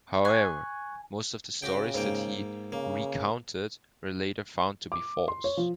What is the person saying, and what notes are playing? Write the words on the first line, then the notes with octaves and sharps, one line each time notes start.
However, most of the stories that he "recounted" were later found to be false.
G#5 C#6 F#6
C#3 F#4 G4 G5
G#2 A#3 G5
C#3 A#3
D6
C6
C#5
F3